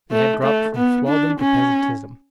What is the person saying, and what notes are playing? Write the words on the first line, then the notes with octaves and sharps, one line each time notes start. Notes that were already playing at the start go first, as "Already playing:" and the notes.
They had dropped from swelldom to peasantism.
A3
A3
B3
D4
C#4